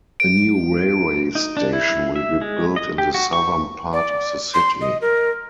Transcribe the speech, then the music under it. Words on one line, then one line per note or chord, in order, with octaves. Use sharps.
A new railway station will be built in the southern part of the city.
D7
D#4
D4
E4
E5
G#3
D#5
G4
F#4
C#6
D5
C6
D#5
A#4